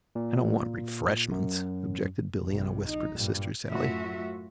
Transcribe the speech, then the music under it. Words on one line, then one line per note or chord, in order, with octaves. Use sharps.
"I don't want refreshments," objected Billie, in a whisper to Sister Sallie.
A#2
F#2
A#1 C3
D#4
G2 A#2
F#2 A2 F4 F#4 E5